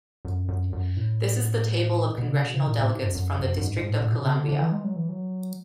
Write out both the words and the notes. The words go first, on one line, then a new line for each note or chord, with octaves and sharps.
This is the table of congressional delegates from the District of Columbia.
F#2
F#2
F#2
A2
B2
C#3
B2
C#3
A2
A2
G#2
F#2
F#2
F#2
F#2
G#2
G#2
A2
A2
B2
C#3
D3
D3
E3
G#3
F#3
E3
F#3